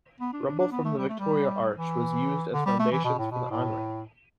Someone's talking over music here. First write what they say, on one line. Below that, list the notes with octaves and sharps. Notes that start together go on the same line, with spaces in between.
Rubble from the Victoria arch was used as foundations for the on-ramp.
B3
D4
D4
D4
B3
A3
G3
A3
G3
E3
D3
G3
A3
E3
B2
A2
B2
A2